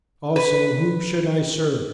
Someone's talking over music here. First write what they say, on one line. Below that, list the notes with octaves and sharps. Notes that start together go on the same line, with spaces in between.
Also whom should I serve?
B4